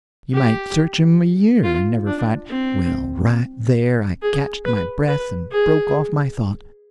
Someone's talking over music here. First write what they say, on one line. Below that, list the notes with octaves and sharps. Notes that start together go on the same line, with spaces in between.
You might search him a year and never find--Well, right there I catched my breath and broke off my thought!
G4
F4
D4
C4
G#4
B4
B4
G#4